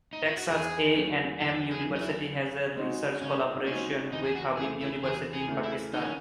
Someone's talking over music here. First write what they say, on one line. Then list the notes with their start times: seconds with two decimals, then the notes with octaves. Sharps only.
Texas A and M University has a research collaboration with Habib University in Pakistan.
0.13 D#4
0.26 E4
0.37 F#4
0.50 E2 G#4
0.95 D#3 F#3
1.40 E2 A4
1.71 G#4
1.86 D#3 F#3
1.95 D#4
2.01 E4
2.32 C#3
2.76 G#3 C4 D#4 F#4
3.21 C#3 C#4
3.66 G#3 C4 C#4 D#4 F#4
4.12 E2 D#4
4.24 G#4
4.35 F#4
4.57 C#3 E3 A3 G#4
4.81 E4
5.03 E2 G#4
5.33 G#4
5.48 C#3 E3 A3
5.63 E4
5.93 D#3 D#4
6.02 C#4